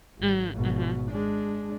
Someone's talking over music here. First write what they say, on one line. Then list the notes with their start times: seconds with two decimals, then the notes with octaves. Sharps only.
Mm, mhm.
0.18 G#1
0.55 G#1 B2
1.11 G#3 D4